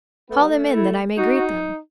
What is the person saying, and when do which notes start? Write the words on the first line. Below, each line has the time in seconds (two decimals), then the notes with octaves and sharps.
"Call them in, that I may greet them."
0.30 A3 B3
0.40 G3
0.49 A3
0.74 E4
1.18 D#4 F#4